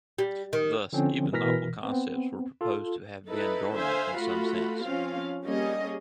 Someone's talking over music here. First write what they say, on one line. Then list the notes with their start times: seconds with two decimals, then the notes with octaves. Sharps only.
Thus, even novel concepts were proposed to have been dormant in some sense.
0.19 G3
0.53 D#3
0.93 D3 F3 C4 C#4
1.33 B2 E3 A#4 F6 A#6 B6
1.84 B3 C4
2.61 F4 A4
3.29 D#4 E4 A4 B4
3.75 D3 C5 E5 F5 G#5
4.18 A3 F4 F#4 B5
4.81 F3 C4 C#4 F4 F5
5.44 G3 A#3 C#4 G#4 D#5